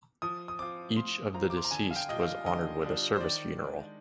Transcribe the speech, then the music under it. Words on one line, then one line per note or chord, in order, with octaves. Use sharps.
Each of the deceased was honoured with a Service funeral.
F3 D#6
D#6
C4 F4 D6
F3 C6
C4 F4 A#5
D6
C6
A#5
D3 G#5
F5
G5
G3 D4 F4 D#5
F5
D3 D#5
G3 D4 F4
C5
D#3 D5
G#3 D4